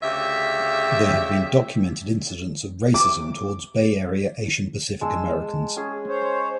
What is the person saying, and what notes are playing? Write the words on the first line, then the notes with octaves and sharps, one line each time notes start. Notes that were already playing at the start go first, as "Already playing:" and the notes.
There have been documented incidents of racism towards Bay Area Asian Pacific Americans.
D2 C#3 G4 E5
D6
G#3 A5 E6
C#4 G#4
C5 C#5